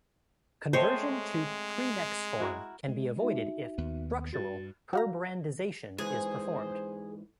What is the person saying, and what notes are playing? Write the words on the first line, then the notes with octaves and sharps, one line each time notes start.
Conversion to prenex form can be avoided, if "structural" Herbrandization is performed.
G#3 A3 C4 C5 C#5 D#5
E4 F#4 A#4
G#3
D#4 F#4 E5
D#2 B3
G2 F#4 A6
F#4 F5 A#5
G#2 E3 G#4 C5